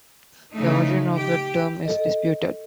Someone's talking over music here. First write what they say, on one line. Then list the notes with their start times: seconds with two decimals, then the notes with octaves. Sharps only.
The origin of the term is disputed.
0.53 C#3 F3 A3 D#4
1.13 G4
1.85 A4 D#5